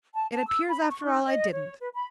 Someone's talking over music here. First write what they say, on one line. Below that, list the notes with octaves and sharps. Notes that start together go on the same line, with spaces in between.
It appears after all I didn't.
A5
A5
E6
B5
C#6
D#4
D#5
C#5
B4
B5